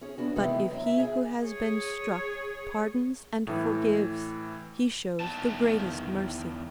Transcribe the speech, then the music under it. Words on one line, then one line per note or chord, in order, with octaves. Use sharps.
But if he who has been struck pardons and forgives, he shows the greatest mercy.
C#4 G#4 C#5
B3 D4 F#4
C3 D#3 E3 G#3 A3 B3
F#2 F#3 E4
E5
G#4 E5 G#5
G#4 C#5
A2 E3
E2 D#3 A5